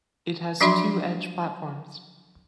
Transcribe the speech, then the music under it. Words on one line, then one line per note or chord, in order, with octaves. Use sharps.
It has two edge platforms.
F3 F#3 D4 F#4 E5 C6